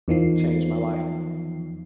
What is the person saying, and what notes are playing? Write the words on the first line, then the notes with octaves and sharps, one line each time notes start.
Changed my life.
E2 D#3 F3 C7